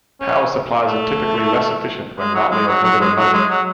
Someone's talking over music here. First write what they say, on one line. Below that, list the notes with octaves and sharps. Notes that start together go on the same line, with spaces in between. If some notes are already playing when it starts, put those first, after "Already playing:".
Power supplies are typically less efficient when lightly or heavily loaded.
C#4
A3
G#3
F#3
G#3
F#3
F#3
G#3
F#3
G#3
F#3